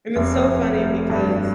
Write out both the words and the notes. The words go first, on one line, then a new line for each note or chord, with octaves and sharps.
And it's so funny because
F1
F1
A3
G2